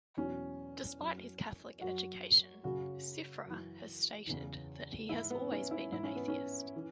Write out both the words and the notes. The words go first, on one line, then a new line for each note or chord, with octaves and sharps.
Despite his Catholic education, Siffre has stated that he has always been an atheist.
E2 B2 F#3 C#4
F#2 F#3
F#2 F#3 F#4
F#2 C#3 F#3 F#4
F#2 E3
E2 C#3 E3
G#2 E3 E4
B3
C#4
E4
G#2 E3 E4
C#4
B3
C#4
E3